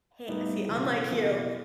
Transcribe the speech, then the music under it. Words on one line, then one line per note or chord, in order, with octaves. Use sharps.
ha see, unlike you,
A2 G3 B3 D#4
F#1 E2 B2
F#1 E2 B2